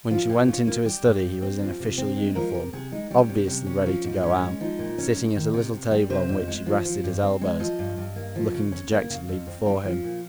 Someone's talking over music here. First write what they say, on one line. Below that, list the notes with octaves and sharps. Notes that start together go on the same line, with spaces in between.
When she went into his study he was in official uniform, obviously ready to go out, sitting at a little table on which he rested his elbows, looking dejectedly before him.
F3 F4
A#2 G4
C#4 F4
A#3 F4
G3 G4
G2
G2
C4
F3
C3
C4
G#3
F3 A#4
C3 A#4
C3 G#4
G#3 D#4
G3 C#4
C3
C3
C#4
F3
G#2
C#4
G#3
F3 D#4
A#2
C#4
G#3
D#3
C3
C3
G3
C3 C5
F2
G#3
F3
F3
G2
C4
G#3
F3 D#5
G2
G2
A#3
F3
C#3
C#4
A#3
C#3 F5
F2
C4
G3
F3
A#2